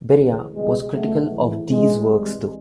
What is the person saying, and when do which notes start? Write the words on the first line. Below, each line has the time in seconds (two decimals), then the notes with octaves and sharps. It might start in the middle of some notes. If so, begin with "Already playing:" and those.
Beria was critical of these works, though.
0.15 D2 C#3 E3 G#3
0.54 C#2 B2 G3 G#3
0.92 C#2 B2 F#3 A3
1.31 G#1 G#2 E3
1.69 G2 E3 G3 G#3
2.07 C2 C3 E3 G3